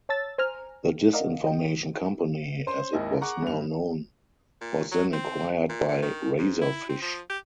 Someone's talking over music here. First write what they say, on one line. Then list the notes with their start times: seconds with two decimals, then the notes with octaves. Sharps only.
The Disinformation Company, as it was now known, was then acquired by Razorfish.
0.09 C#5 A5 E6 A6
0.38 C5 G#5 A#5 F6
1.13 A#4 D5 D#5 F5 F#5
1.44 D#5 G5
2.66 C#4 C5 C6
2.93 G#1 D#2 E4 D#5
3.21 G#4 F#5 A#5 C#6 D6 F#6
3.42 G2 F7
4.61 A#2
4.92 F#3
5.13 C4
5.69 A#2
5.88 A#2
6.02 D#3
6.38 G#2
6.61 E4
6.89 C4
7.02 F3
7.30 G4